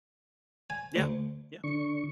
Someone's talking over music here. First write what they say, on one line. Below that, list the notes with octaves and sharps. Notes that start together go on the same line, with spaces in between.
Yeah, yeah,
G#5
D2
D3 C#6